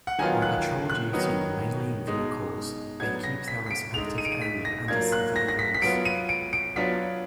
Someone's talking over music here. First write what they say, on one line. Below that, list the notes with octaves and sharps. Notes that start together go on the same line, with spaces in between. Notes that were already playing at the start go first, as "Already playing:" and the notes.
On patrol duty, mainly in vehicles, they keep their respective area under surveillance.
F#5
D#3 F#3 B3 F4 G#5
F#6
F#6
D#3 F#3 B3 D#4
B2 G#3 D#4
F#3 B3 D4 G#6
A#6
B6
B6
D7
D3 G#3 D#4 F7
D#7
D7
D#7
B6
A#6
F#3 A#3 D4 F4 G#6
F#6
A#6
A#6
B6
B6
F#3 B3 F4 D7
D#7
D7
D7
F#3 B3 D4 F4 B6